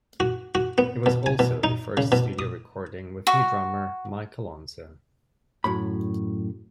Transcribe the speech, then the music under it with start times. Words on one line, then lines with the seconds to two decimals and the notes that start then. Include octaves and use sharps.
It is also the first studio recording with new drummer Mike Alonso.
0.20 F#4
0.55 F#4
0.78 B3
1.06 B2
1.26 G#5
1.39 B2
1.64 D#4
1.97 C#3
2.12 B2
2.39 D#6
3.27 F#4
5.64 F#2 A2 B5